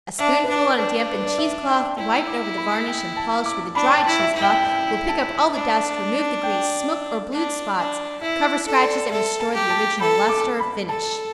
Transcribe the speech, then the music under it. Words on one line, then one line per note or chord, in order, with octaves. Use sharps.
A spoonful on a dampened cheese cloth wiped over the varnish and polished with a dry cheese cloth will pick up all the dust, remove the grease, smoked or blued spots, cover scratches and restore the original lustre or finish.
D4 E5
B4
D4 D5
D4 B4
B4
D5
E5
G5
E4 G5
D6
B5
G5
A5
D6
D4 B5
G5
A5
E4
E5
E4
G5
G5
A5
D4
G5
D4
D4
E4 E5
A4
D5
A4 E5
A5
G4
A5
A4 B5
D6
B5
A4 A5